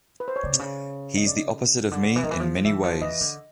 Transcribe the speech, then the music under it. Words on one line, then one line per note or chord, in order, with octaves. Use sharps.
He's the opposite of me in many ways.
B4
C5
C#5
C#3 D5
C3
C#3
D#5
D5
D#5
D3
E3
D#3
E3
F3
E3 E5
F3
E3 D#5
D3